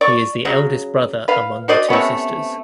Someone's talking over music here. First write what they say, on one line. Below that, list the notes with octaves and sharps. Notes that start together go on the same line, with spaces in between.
He is the eldest brother among the two sisters.
D5 C#6
C#3 F#3
B4 F5
F#4 C5 D5 D#5
C3 A3 B3 C#4